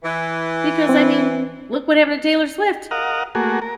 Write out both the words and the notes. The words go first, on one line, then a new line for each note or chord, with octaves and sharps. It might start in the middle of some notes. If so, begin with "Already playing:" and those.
because I mean, look what happened to Taylor Swift.
E3
C4
A#4 D#5 F5 F#5
A3 A#3 F#4 G#4
A#4